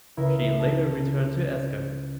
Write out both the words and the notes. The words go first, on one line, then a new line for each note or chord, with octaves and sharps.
She later returned to Asker.
C#2 E4 A#4 B6
A5